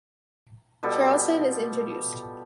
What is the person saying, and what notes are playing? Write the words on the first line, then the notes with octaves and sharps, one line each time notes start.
Charleston is introduced.
B2 F3 G3 A4